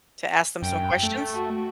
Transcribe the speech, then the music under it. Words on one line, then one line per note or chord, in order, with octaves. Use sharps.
to ask them some questions?
F#2 G5
A3
F#4